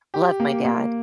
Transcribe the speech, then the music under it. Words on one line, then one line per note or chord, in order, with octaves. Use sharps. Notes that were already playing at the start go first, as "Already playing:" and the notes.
love my dad-
G4
A#3
A#3